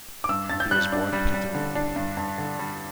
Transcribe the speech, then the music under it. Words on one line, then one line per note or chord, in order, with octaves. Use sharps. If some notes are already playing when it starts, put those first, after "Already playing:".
He was born in Kaduna.
D6
G2 E6
G2 A6
G6
G3 F#6
D4
G3
G3
D3
D4
G2
G2
D3
G3